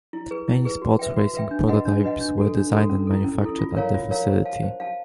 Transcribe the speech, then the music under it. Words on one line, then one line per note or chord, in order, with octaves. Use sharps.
Many sports racing prototypes were designed and manufactured at their facility.
E4
G#4 B4
E4
G#4 B4
F#4
B4 E5 G5
F#4
B4 E5 G5
D4
F#4 B4 D#5 F#5
D4
F#4 B4 D#5 F#5
D4
F#4 A4
D4
F#4 A4
C#4
E4 A4
C#4
E4 A4
F4
A#4 C#5 F5 A#5
F4
A#4 C#5 F5 A#5
C5
F5 A5
C5
F5 A5